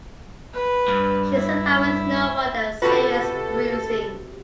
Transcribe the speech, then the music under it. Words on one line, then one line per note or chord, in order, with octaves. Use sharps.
She survived with no more than serious bruising.
B4
G2
E4
C3 F4 F#4 A4 B4 B5